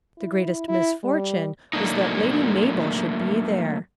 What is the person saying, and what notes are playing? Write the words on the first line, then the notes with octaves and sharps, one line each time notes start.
The greatest misfortune was that Lady Mabel should be there.
E4
E4
G3
F#3 A3 A#3 D4 D#4